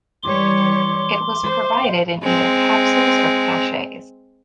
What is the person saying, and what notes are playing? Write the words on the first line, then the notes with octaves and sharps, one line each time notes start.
It was provided in either capsules or cachets.
E3 G3 C#5 C6 D6
C5
G#3 C4